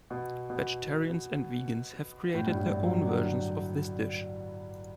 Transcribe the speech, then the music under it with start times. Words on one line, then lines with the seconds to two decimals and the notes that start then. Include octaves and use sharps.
Vegetarians and vegans have created their own versions of this dish.
0.10 B2
0.50 B2
2.34 A2
2.47 G2
2.58 A2
2.66 G2
2.85 F#3
3.06 D3